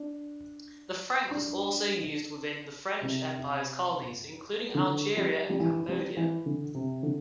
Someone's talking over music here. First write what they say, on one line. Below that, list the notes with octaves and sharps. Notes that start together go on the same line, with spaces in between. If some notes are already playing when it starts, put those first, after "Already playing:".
The franc was also used within the French Empire's colonies, including Algeria and Cambodia.
Already playing: D4
D4
C3
D3
G3
G3
E3
G3
E3
D3
C3
D3